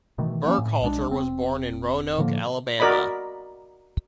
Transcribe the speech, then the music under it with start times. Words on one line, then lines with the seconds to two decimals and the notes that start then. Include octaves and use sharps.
Burkhalter was born in Roanoke, Alabama.
0.18 B2 D#3 E3 A3
0.45 F3 A#3 C#4
0.58 A2
0.81 B1 G#3 D4
1.08 E1 C4
2.18 A2 D3 F3 A#3
2.80 F#4 A#4 D5 D#5 B5